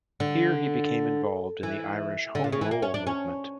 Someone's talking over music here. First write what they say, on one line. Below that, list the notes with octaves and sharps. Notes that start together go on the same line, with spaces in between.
Here he became involved in the Irish Home Rule Movement.
D3
E3
D3
A#2
C#3
E3
A#3
C#4
D4
C#4